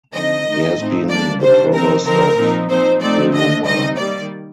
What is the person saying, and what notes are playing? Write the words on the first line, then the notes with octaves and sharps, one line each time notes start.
He has been the provost of Virumaa.
D3 F3 C4 D#4 D#5
D#3 A3 D#4
A2 A3 C4 D#4
D3 G3 A#3 D4 D5
C3 D#3 G3 D4 C5
F3 C4 D#4 A#4
D3 F3 C4 D#4 A#4
A#2 F3 C4 D#4
F3 C4 D#4 C5
F3 A3 C4 D#4 D5
D3 A3 D4 D#5
C3 D#3 G3 C4 D#4 D#5
D#3 G3 A#3 D5